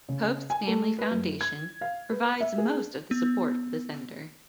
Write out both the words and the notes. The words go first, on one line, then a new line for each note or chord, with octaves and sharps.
Pope's family foundation provides most of the support for the center.
C#3
G#5
A3
B4
F#2
G#6
F5
B4
E5
G#4
B3